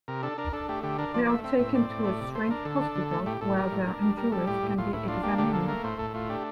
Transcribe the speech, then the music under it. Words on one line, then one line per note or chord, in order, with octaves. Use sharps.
They are taken to a strange hospital where their injuries can be examined.
C3 A#4
D4 A4
D4 A#4
D4 A4
A3 G4
D3 G4
D4 A#4
F3 D5
D5
A3 E5
C4 E5
A2 E5
C4 D5
A2
A3
C3
A3 C5
D4 A#4
D3 A4
D4
D3
A3
A2 G4
A2 A4
G3 A#4
A2
D4
G3
G3 A#4
G3 A4
A2 G4
A2
A2 F4
A2 E4
D4 F4
A#3 G4
D3 G4
A#3 A4
A3 A#4
A2 C5
A2 A4
A3 F4
D4 G4